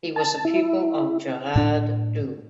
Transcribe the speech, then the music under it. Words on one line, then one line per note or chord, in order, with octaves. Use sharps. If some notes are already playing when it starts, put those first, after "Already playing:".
He was a pupil of Gerard Dou.
A5
E4
A2 D4